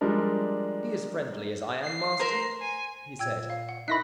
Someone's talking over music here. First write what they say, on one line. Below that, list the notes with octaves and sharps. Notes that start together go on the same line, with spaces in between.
"Be as friendly as I am, Marsden," he said.
F3 G3 G#3 D4 A#4
C7
A#4 C5 A#5
G#5
A#2 G5 E6 G#6
F5
F#5
D#4 E4 A#4 B5 F#6 A#6 B6